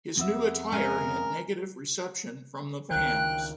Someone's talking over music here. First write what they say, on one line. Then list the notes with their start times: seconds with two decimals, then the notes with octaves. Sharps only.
His new attire had negative reception from the fans.
0.17 F2 B3 E5
0.72 G#3 C#4 A#4 G#5
2.91 C#2 D#3 F5 G5 F#6